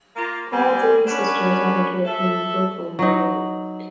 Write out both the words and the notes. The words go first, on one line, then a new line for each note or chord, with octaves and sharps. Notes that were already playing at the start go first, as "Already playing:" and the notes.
All three sisters are interred in Brooklyn, New York.
A#3 F4
G3 C4 G#5
B3 C#4 D4 A#4 B4 C#5
A4 E5
F#3 D#4